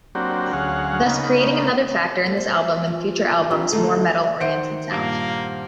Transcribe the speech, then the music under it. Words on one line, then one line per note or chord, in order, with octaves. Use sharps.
Thus creating another factor in this album and future albums' more metal-oriented sound.
F#3 A#3 C4 D4 F#4 G4
D2 F#3 C#4 G#4 F5 F#5
C#3 A#3 D#4 B5
A3 B3
C5
F3
C4 D4 D#4 F4 G4 B4
D3 E3 G#3 A3 D#4 A4
D#3 C5 E5 F#5 D7
G2 A#2 A#3